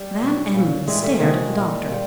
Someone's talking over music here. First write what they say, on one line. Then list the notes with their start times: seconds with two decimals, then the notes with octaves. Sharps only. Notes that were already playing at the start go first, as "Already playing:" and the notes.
Van Emmon stared at the doctor.
Already playing: G3
0.20 B2 F#3
0.54 A#2 F#3
0.86 A2 E3 G3 G#3
1.03 G3 A3
1.20 C3 D#3 F#3 G#3 A#3
1.54 A#2 G3
1.88 A#2 G3